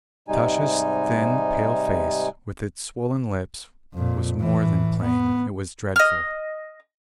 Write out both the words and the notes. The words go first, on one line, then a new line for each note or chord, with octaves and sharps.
Natasha's thin pale face, with its swollen lips, was more than plain--it was dreadful.
G#2 C3 G3 G#3 D#4 G#5
F2 A#2
A2 E3
B3
D#5 F6